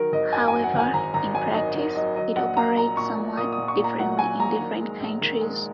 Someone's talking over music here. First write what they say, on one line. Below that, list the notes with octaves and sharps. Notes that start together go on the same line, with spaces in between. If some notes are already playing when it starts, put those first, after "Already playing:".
However, in practice it operates somewhat differently in different countries.
Already playing: D#3 F#3 A#4
G#1 D#5
F#2 G#5
G#5
F#3
F#5
G#1 G#5
G#1 A#5
G#1 A#5
F#3 G#5
D#3 D#5
D#3
F#3 D#5
F#3 D#5
A#1 F#5
A#1 A#5
A#2 A#5
A#2 C#6
A#2
A#2 D#6
D#6
A#2
C#6
A#2
A#5
F#3 F#5
F#3 G#5
A#1 A#5
D#3
G#3
A#1
D#3
G#3